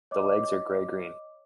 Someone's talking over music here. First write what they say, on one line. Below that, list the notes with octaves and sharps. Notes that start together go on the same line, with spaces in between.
The legs are grey-green.
C#5 D#5 D6